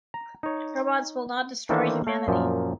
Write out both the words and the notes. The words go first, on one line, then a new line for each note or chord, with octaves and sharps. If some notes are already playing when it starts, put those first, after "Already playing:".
Robots will not destroy humanity.
A#5
D#4 C#5
D#3 E3 A#3 D4 A4 C5
A3 C#5
F#2 A#2 F3